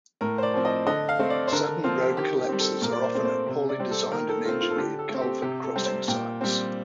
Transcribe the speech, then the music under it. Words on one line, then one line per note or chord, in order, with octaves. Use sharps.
Sudden road collapses are often at poorly designed and engineered culvert crossing sites.
A2 A#4
C5
D5
F3 C4
D#5
D3 D#5
F5
A3 C4
D5
C5
D3 A#4
F3 C4 F4
G4
D#3 G4
G4
G3 C4
A4
A#2 A#4
D5
C5
A3 C4
C5
C3
D5
G3 C4
A4
D#3 A#4
A4
A3 C4 F4
F4
A4
D3 G4
A4
A3 C4
G4
C3 G4
A4
G3 C4
C5
A#2 G5
G3 C4